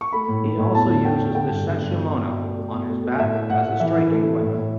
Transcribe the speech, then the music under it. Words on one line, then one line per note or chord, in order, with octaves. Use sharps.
He also uses the sashimono on his back as a striking weapon.
C#6
A3 B5
A2
A2
A2
E2 A5
D3
A3 G5
D3
A3 G5
G2
D3
G2
B2
B2
B2
A3
A3
B2
A3
A3
A2 E5
A3
A2 F#5
A2
E3 E5
E3
A3
A3
A2
A2